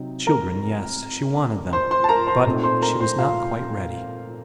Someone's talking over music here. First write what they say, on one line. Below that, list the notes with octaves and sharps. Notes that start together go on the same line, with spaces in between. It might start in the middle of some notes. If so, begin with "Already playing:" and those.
Children, yes, she wanted them, but----She was not quite ready.
Already playing: C3 F#3 C4 D#4
A#4 A#5
C5 C6
C5 C6
A5
A#4 A#5
C5 C6
A#2 A3 C4 D#4
C5 C6
A#4 A#5
C5 C6
F4 F5